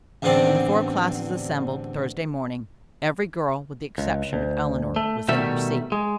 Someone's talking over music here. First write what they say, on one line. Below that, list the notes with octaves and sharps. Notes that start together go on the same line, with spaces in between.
When the four classes assembled Thursday morning, every girl, with the exception of Eleanor, was in her seat.
A1 E2 D3 C4 C5 D5
C#2
D2
A3
B2 D#3 G3 A3 E5
G#3